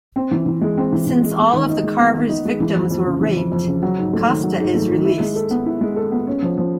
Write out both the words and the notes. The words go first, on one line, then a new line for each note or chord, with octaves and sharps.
Since all of the Carver's victims were raped, Costa is released.
C4
E3
E3
G#3
C4
E3
E3
G#3
B3
D#3
D#4
G#3
B3
D#3
D#4
G#3
E3
F2
F2
C#3
E3
F2
F2
C#3
F#3
G#2
A3
D#3
F#3
G#2
A3
D#3
E4
G#3
A4
B3
E4
G#3
A4
B3
C#4
F3
F3